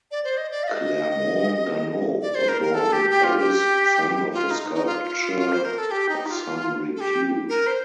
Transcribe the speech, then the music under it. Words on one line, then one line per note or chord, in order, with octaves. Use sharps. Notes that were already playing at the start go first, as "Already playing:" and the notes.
Clermont-Ganneau was born in Paris, son of a sculptor of some repute.
D5
C5
D#5
D5
F5
D#5
D5
C5
A#4
A#4
A4
G4
G4
F4
G4
F4
D#4
D#4
F4
F4
F4
F4
C5
A#4
A4
G4
D#4
G4
F4
A4
G4
A#4
C5